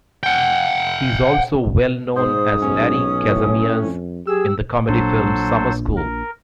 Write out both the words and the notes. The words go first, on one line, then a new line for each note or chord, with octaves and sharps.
He is also well known as Larry Kazamias in the comedy film "Summer School".
F#5 G5
G#2 C5 D#6
B1 C#4
A2
F2
F#3 G4 G#4 E6
A#1 A#2 F#3 D4 A4 C5
A#4